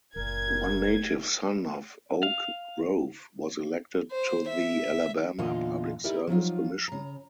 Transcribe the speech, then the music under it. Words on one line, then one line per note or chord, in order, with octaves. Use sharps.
One native son of Oak Grove was elected to the Alabama Public Service Commission.
F#1 A#2 A#4 G#6
F5
C5
E5
E2 A#2 D3 B3 F4 D#5
D#4 E4 G4 A#4 D5
F3 F#3 D#4 F4
C#3 A#5